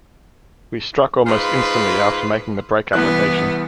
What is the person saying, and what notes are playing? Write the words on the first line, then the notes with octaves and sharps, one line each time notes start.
We struck almost instantly after making the brake application.
G#2 F4 B4
C2 E3 B3 F#6